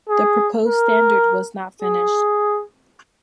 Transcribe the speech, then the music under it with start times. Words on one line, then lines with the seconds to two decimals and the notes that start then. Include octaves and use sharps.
The proposed standard was not finished.
0.09 G#4
0.67 A#4
1.82 G#4